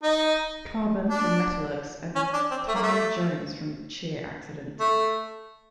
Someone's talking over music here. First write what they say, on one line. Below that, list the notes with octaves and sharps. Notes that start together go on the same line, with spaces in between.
Carbon from Metalux and Thymme Jones from Cheer Accident.
D#4
D4
C#4
D4
C4
A3
A#3
A3
A3